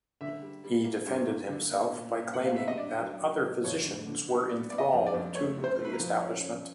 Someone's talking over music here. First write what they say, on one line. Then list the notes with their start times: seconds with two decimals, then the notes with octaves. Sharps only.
He defended himself by claiming that other physicians were in thrall to the establishment.
0.21 D3 E5
0.42 G3
0.64 G3
0.85 A#3
1.06 G2
1.27 A#3
1.49 D3
1.72 A#3
1.93 A#2
2.14 A#2
2.34 A#2 F#5
2.44 F5
2.56 B3 E5
2.68 D#5
2.78 D4 D5
3.00 F#3
3.21 F#3
3.43 F#3
3.64 F2 C#5
3.85 D3
4.06 D3
4.28 B3
4.49 B3 D5
4.70 B3 D5
4.78 D#5
4.93 F2
5.07 D5
5.14 F2
5.35 A3 C#5
5.57 C3
5.64 C5
5.79 A3
5.85 B4
5.93 A#4
6.00 F3
6.21 C#4
6.43 C#4